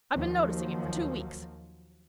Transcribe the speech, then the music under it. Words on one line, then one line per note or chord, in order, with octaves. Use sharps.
I've been noticing it for two weeks.
D#2 F3 F#3